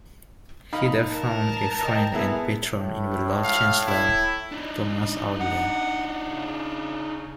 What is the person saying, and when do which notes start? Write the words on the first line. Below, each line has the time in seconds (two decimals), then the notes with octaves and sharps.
He there found a friend and patron in the lord-chancellor Thomas Audley.
0.73 D#4 F5 B5
1.09 A#4 A5
1.84 D#5 G5
2.14 B3 E4 G#4
2.74 A2
3.44 F5
3.87 E4
4.52 D4 D#4
5.40 F#5
6.28 C#3